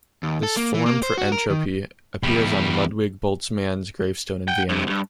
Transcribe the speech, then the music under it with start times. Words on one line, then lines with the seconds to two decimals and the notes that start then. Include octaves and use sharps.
This form for entropy appears on Ludwig Boltzmann's gravestone in Vienna.
0.23 D#2
0.43 A4
0.57 A#3
0.74 E3
0.86 A#3
1.03 C5
1.17 F#4
1.32 A#4
1.50 D#3
2.23 E2 G3
4.48 F#5 G5
4.69 G2 C3
4.87 C2 G2